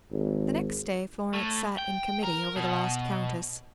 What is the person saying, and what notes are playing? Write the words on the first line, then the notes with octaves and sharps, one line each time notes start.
The next day Florence sat in committee over the lost Countess.
G#1
A2
G5
A#4
B2